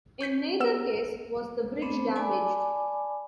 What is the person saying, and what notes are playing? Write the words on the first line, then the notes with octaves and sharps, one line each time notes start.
In neither case was the bridge damaged.
C#6 G6 B6 C#7
B3 E6 E7
A3 B3 C4 D4 A4 C5
D5 G#5 A5 B5 D6